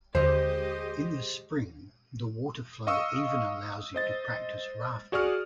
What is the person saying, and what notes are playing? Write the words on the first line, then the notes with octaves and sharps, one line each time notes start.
In the spring the water flow even allows you to practice rafting.
D#2 D3 G#3 G4 C5 D#5
D#5 F5 C#6 D#6 E6
C5 D#5 A6
F#4 G#4 D5 C#6 D#6 F6